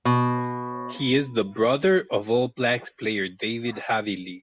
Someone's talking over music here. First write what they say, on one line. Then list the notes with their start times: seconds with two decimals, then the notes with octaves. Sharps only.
He is the brother of All Blacks player David Havili.
0.05 B2